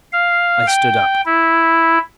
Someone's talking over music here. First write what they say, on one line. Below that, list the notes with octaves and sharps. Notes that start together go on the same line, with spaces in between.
I stood up.
F5
G5
E4